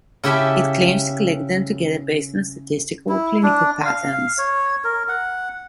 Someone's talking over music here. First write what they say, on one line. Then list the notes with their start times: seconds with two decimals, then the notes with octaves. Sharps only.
It claims to collect them together based on statistical or clinical patterns.
0.24 C#3 E4 G4 E5 G5 A5
3.09 E4
3.43 D4
3.85 F5
4.38 C#5
4.84 A#4
5.08 F#5